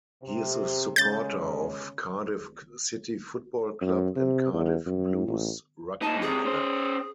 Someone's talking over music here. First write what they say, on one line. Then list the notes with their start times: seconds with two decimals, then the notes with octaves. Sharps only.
He is a supporter of Cardiff City Football Club and Cardiff Blues Rugby Club.
0.23 C3
0.96 C#3 G#3 G6 A6
3.81 F#2
4.15 C3
4.53 E2
4.86 F#2
5.28 A1
6.02 A#2 D#4 A5
6.21 C#2 C3 G#4
6.45 C#4 C5